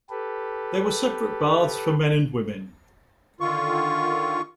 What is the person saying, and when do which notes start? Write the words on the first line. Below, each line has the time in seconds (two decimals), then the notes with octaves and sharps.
There were separate baths for men and women.
0.10 G4 A4 B4
3.40 D3 D#3 F4 C#6